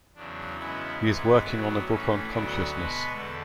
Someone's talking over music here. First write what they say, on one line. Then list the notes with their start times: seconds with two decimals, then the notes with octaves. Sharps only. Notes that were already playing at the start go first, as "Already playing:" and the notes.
He is working on a book on consciousness.
0.14 E2 C#3 F#3 D4
0.57 F#2 C#3 G#3 B3 E4
0.99 G#2 E3 G#3 B3 E4
1.42 A2 F#3 B3 D4
1.85 A2 E3 A3 C#4
2.27 D2 D3 F#3 B3 D4
2.70 B2 G#3 B3 B4
3.12 E2 D3 A4